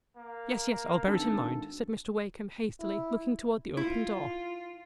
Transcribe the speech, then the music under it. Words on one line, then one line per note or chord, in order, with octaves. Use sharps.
"Yes, yes, I'll bear it in mind," said Mr. Wakem, hastily, looking toward the open door.
A#3
G#1 D4 A4
E4
E4 F4